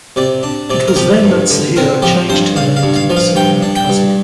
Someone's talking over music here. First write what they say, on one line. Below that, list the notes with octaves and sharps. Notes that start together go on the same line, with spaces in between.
It was then that Sahira changed her name to Sahira Kazmi.
C3 D5
D4
C3 D5
A#4
F3 G4
G2
D3
C4 A#4
F3 G4
G2 C5
D4 F5
F5
G2
F5
F3
F5
G2 G5
D4
G5
G2